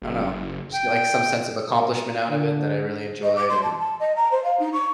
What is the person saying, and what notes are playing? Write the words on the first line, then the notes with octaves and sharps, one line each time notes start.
I don't know. Just get, like, some sense of accomplishment out of it that I really enjoyed, and
F#1
G5
A#4
D3
D#5
D6
C6
A5
A5
D#5
A#5
C5
F5
D#4
C#6